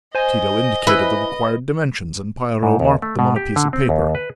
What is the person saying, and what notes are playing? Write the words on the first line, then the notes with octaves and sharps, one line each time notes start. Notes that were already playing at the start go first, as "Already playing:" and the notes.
Tito indicated the required dimensions, and Piero marked them on a piece of paper.
C5 D#5 G#5
E4 B4
G#2
D#2
A3
B2
G4
D3
C4
D#2
B4